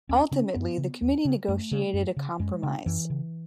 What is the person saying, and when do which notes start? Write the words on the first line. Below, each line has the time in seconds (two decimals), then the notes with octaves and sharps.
Ultimately the committee negotiated a compromise.
0.09 D#2 C#4
0.31 C#3 C#4
0.55 F#2 B3
0.78 C#3
1.01 D#2
1.25 C#3
1.48 F#2 A3
1.71 C#3
1.93 F#2
2.17 C#3
2.40 F#2 G#3
2.63 C#3
2.86 F#2 E3
3.10 C#3